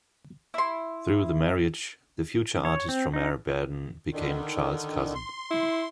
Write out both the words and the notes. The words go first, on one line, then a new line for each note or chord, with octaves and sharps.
Through the marriage, the future artist Romare Bearden became Charles' cousin.
E4 C6
C#5
C4
D#4
D3 D#3
C6
E4